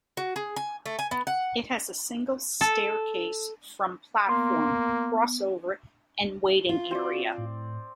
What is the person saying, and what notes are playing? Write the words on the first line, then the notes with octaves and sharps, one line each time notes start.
It has a single staircase from platform, a crossover, and waiting area.
F#4
G#4
G#5
A3
G#5
B3
F#5
A4
A#3 B3 C6
F4
C4 F#4 D5
A2